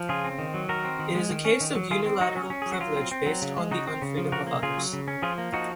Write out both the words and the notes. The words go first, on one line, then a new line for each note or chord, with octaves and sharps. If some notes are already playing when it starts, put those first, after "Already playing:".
It is a case of unilateral privilege based on the unfreedom of others.
Already playing: F3
C#3 F4 G#4
C4
D#3
F#3
D#3 F#4 A#4
C4
D#3
G#3
D#3
C#4
D#3
F#3
D#3 F4 G#4
C4
F#3 D#4 F#4
C#4
C#4
F#3 G#4
F#4
F#3 F4
C4
C4
F#3
C#3
G#3
C#3 D#4 F#4
C4
C#3
F3
C#3 F#4 A#4
A#3
C#3 F4 G#4
F#3
C#3
C#4
F3 F4 G#4
A#3
F3 D#4 F#4